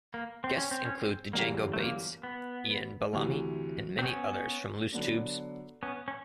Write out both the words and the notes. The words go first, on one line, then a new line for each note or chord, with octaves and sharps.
Guests included Django Bates, Iain Ballamy and many others from Loose Tubes.
A#3
C4
C#4
C4
C#4
C4
G1 F#2 C#3 E3 G3 A#3
A3
A#3
B3
D2 C3 E3
C4
B3 C#4
D3 F#3 B3 D4
B3 C#4
C#4